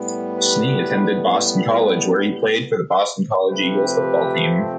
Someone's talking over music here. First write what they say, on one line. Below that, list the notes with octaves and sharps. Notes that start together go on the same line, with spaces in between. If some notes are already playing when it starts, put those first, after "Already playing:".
Snee attended Boston College, where he played for the Boston College Eagles football team.
Already playing: A2 G3 B3
G4 B4
C3 F3 A3 C4 G4 B4